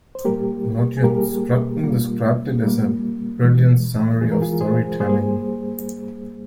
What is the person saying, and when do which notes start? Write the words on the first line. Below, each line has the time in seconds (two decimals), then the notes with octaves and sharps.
Roger Scruton described it as a "brilliant summary of story-telling".
0.15 C5
0.25 A#2 G3 A#3 G4 A#4
0.97 G#4
1.04 A#2 G3 A#3 G4 A#4
1.83 A#2 G3 A#3 F4
2.62 A#2 G3 A#3
3.41 E2 E3 G#3
4.21 E2 E3 G#3 G#4
4.32 A#4
4.42 F4 G#4
4.61 G#4 C5
5.00 G2 G3 A#3 G#4 C5